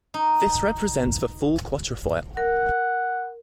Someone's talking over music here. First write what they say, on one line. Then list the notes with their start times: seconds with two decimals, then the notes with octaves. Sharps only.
This represents the full quatrefoil.
0.14 D#4
2.37 A#4 F#5